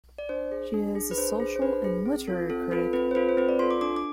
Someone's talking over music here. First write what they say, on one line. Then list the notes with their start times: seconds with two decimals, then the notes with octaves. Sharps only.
She is a social and literary critic.
0.18 D5
0.29 D4 C5
0.52 G#4
0.74 D4
0.95 G#4
1.11 B4
1.18 D4 C5
1.40 G#4
1.56 C5
1.62 D4 B4
1.84 G#4
2.06 C4
2.27 F4 A4
2.50 C4 A4
2.71 F4 A4 B4
2.93 C4 B4
3.11 C5
3.15 F4 A4 B4
3.29 C5
3.37 C4 B4
3.49 D5
3.59 F4 A4 C6
3.71 D6
3.81 D4 D6
3.96 D6